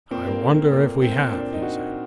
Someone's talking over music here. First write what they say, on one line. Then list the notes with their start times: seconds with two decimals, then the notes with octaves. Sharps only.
"I wonder if we have?" he said.
0.11 A#2 C4
0.26 A#3
0.41 A3
0.56 A#3
0.71 A#2 A#3
0.87 A#3
1.02 C4
1.17 A#3
1.32 A#2 D4
1.53 D#4
1.62 F#4